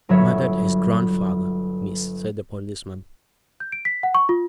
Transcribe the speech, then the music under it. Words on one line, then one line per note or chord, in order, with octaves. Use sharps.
"Murdered his grandfather, miss," said the policeman.
G1 F#3 C#5 E5
G6
D7
B6
F#5
C#6
F4